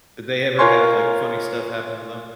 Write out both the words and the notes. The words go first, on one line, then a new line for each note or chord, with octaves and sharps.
Did they ever have, like, funny stuff happen to them?
F4 A#4 C#5 G#5 C6 C#6